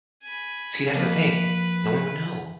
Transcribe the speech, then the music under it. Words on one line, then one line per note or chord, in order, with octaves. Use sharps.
See, that's the thing. No one would know.
G#5 B5
F2 A#3 B4